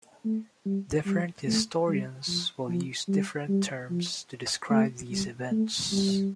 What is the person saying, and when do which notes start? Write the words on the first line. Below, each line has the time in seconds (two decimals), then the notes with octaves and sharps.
Different historians will use different terms to describe these events.
0.25 A3
0.66 G3
1.06 G3
1.47 A3
1.88 G3
2.27 F3
2.69 F3
3.08 G3
3.49 G3
3.90 F3
4.71 A3
5.11 G3
5.51 A3
5.92 G3